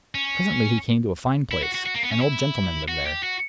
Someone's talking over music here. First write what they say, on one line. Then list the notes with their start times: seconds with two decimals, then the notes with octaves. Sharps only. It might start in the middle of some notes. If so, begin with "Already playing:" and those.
Presently he came to a fine place; an old gentleman lived there.
0.15 C#4
1.51 E4
1.63 F#4
1.74 F#4
1.86 F#4
1.94 A#3
2.03 B3
2.12 C#4
2.20 E4
2.88 F#4
3.06 G4
3.23 F#4